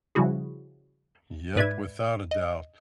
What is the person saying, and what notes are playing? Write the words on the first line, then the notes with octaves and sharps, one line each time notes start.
Yep, without a doubt.
C#3 F3 G3 E4 F#4 G#4
G#2 B4 D5 E5 G#6
D#5